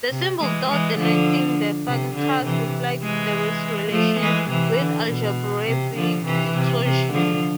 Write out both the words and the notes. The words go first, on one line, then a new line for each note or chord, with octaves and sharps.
The symbol Tor denoting the functors reflects this relation with the algebraic torsion.
C3
E3 G#3
E3 G#3
D3 F3
C3
D3
C3 E3
E3 G#3
F3 A3
E3 G#3
C3 E3
D3
B2
C3
D3 F3
C3 E3
C3
C3
D3 F3